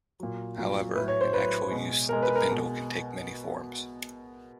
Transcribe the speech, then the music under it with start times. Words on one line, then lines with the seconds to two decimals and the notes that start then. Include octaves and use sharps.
However, in actual use the bindle can take many forms.
0.20 A#2 F#3
0.58 A#2 F#3
0.95 A2 F#3 B4
1.08 C#5
1.21 C5
1.33 A2 F#3 B4
1.71 B2 G#3
2.09 B2 G#3 A#4
2.22 B4
2.36 A#4
2.47 B2 G#3